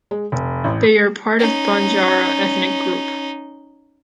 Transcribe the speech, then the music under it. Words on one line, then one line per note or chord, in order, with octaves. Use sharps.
They are part of Banjara ethnic group.
G#3
F1
A1
C#4 D#4